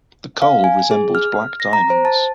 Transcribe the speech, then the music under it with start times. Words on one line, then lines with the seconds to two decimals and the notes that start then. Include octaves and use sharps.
The coal resembled black diamonds.
0.42 F5
0.64 G#5
0.91 G#4
1.15 F6
1.60 A#6
1.73 A#5
1.90 C5
2.05 A5